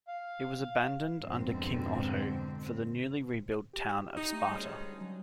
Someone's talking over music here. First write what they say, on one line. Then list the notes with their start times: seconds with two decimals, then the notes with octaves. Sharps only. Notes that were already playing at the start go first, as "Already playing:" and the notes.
It was abandoned under King Otto for the newly rebuilt town of Sparta.
0.07 F5
1.19 F2 G#2 B2 D3 C4
3.73 G4
4.16 D#4
4.33 A3
4.51 D2 G3 G#3 C#4
5.01 F#3